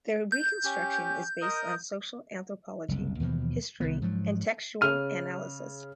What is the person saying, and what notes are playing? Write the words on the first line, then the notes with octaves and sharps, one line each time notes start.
Their reconstruction is based on social anthropology, history and textual analysis.
G6
C#4 G4
A#4 D#5 D#6
F#1 C2
D#2 B2 E3 F3
C2 D#3 B3
G#2 F3 F#3
C#3 F6 D#7